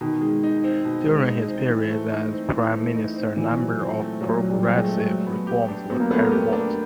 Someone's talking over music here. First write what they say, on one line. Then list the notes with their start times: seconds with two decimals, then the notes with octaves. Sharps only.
During his periods as Prime Minister, a number of progressive reforms were carried out.
0.01 B2 D#3
0.21 G#3
0.43 D#4
0.64 C4
0.85 B2
1.06 G#3
1.27 D#4
1.48 C4
1.69 E3
1.90 A3
2.12 D#4
2.32 C4
2.53 E3
2.74 A3
2.96 D#4
3.16 C4
3.37 A#2 E3
3.58 F#3
3.79 C4
4.01 A3
4.21 A#2 F#3
4.42 F#3
4.50 G3
4.63 C4
4.71 G3
4.77 G#3
4.84 A3
5.05 F#3
5.27 B3
5.47 G4
5.68 D4
5.90 F#3 B3
6.00 A#3
6.11 A3 B3
6.21 A#3
6.32 G4
6.53 D4